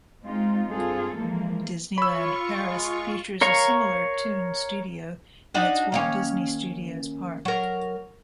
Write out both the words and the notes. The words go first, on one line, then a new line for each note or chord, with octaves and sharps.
Disneyland Paris features a similar 'Toon Studio' in its Walt Disney Studios Park.
G#3 C4 D#4 F4
G2 C4 F4 G#4 A4
E3 F3 G#3 A#3
F4 C#5 B5 C#6 E6
G#3
A#4 C#5 F5 A#5 C#6
D4 D#4 F#4
D#3 A#3 C#4
F#3 A#4